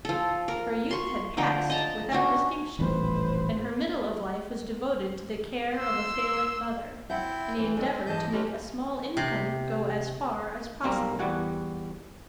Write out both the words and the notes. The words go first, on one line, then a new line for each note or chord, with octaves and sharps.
Her youth had passed without distinction, and her middle of life was devoted to the care of a failing mother, and the endeavour to make a small income go as far as possible.
F3 A4
A#4
C6 C#6
D3 F3 G5
D#5 A5 A#5
C#4 D4 F#4
D#1 A1 F2 B4 C5
C6 E6
C4 E4 E5 F#5 G5 G6
E3 C4 B4
F#3 G#3 C4 C#4 A4
G2 E3 D#5 A5 G6
B2 G#3 C#4 G4 A4 B4
C3
B1 G3 A#3 C4 A#4 A#5
E2 G3 F#4 F#5 G#5